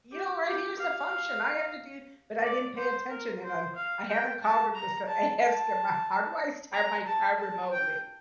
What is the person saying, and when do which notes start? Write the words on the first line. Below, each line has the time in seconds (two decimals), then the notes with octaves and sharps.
"You know, right here is the function I have to do" but I didn't pay attention, and I'm I haven't called him to sa ask him, how do I start my car remotely?
0.13 G4
0.46 G4
0.78 F5
2.43 D5
2.77 C5
3.10 A#4
3.43 C5
3.76 F5
4.09 G5
4.42 A5
4.75 A#5
5.08 A5
5.41 A5
6.73 A#5
7.06 A5
7.39 A5
7.72 G5